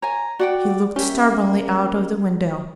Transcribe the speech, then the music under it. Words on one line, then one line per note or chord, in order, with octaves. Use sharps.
He looked stubbornly out of the window.
C#5 G#5 A#5
F#4 D5 F#5 G5
A#3 C#4 G4 E5